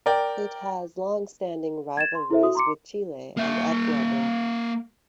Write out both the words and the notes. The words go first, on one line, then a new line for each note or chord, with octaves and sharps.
It has longstanding rivalries with Chile and Ecuador.
A#4 D5 G5
G#6 A6 E7
C6
E4 A4 C5 E5
F#4 D#6
A#5 C6 D6 C#7
A#3 E5